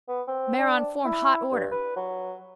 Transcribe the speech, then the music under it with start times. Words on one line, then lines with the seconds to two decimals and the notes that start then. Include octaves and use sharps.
Mare on form hot order.
0.08 B3
0.27 C4
0.58 D4
1.05 E4
1.52 G2
1.72 B4
1.96 F#3